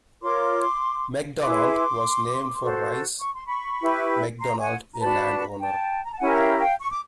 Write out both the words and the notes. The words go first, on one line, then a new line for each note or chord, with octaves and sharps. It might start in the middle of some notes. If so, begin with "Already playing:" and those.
McDonald was named for Rice McDonald, a landowner.
F4 A#4 C#5 C6 D6
E4 G#4 B4 C6 D6
F#4 A4 C5
C#6
C6
B5 C#6
E4 G4 B4
A#5 C6
F#5 G#5
A#5
D4 F#4 B4 A5 B5
B5
A#5
G5 A5
A#5
A5
C#4 E4 G4 A#4 F#5 G#5
F#5
F5 G5
F5 G5
C#6
D6